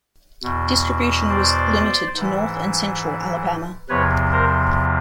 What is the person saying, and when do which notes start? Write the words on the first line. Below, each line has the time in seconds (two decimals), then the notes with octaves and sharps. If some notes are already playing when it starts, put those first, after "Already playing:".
Distribution was limited to north and central Alabama.
0.43 E2 B2
1.29 C5 D5
2.16 G#2 E3
3.89 E2 C3 F3 B4 C#5
4.32 A#4 C5